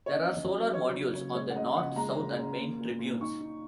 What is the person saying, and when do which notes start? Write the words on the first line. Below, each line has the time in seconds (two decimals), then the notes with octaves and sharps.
There are solar modules on the north, south, and main tribunes.
0.06 C#5
0.11 C#4 D#5
0.32 C#4
0.53 F#3
0.73 F#3 C#5
0.94 C#3
1.15 C#3
1.35 G#3 C#5
1.50 F#5
1.56 C#3 D#5
1.77 C#3 F#5
1.96 G#3 A#5
2.18 C#3
2.37 C#3
2.59 A#3
2.79 A#2
2.99 A#2
3.20 D#4 C#6
3.41 D#4